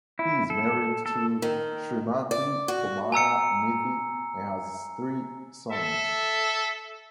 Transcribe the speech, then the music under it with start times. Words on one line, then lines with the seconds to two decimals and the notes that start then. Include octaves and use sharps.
He is married to Shrimati Pomaya Mithi and has three sons.
0.19 E4
0.50 A4
1.06 A4
1.42 D#3
2.31 D5
2.68 F#4
3.12 G#5 A#5 E6 C#7
5.71 A4 E5